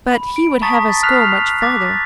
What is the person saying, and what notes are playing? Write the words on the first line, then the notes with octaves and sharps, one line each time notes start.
But he would have us go much further.
B5
D7
A5 A#5 C#6 D#6 A6 B6
F6 F#6 B6 C7 F7
D6 A6 B6